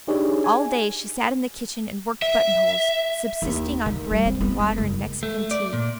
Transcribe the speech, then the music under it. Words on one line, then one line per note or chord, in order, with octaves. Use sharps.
All day she sat in the kitchen and worked buttonholes, subsisting on bread and water and Mexican Tea.
D4 D#4 G4 G#4 C#5 D5
G#5
E5
D#2
D#3
G3
C4
B3
G#3
F#1
A3
D5
A#2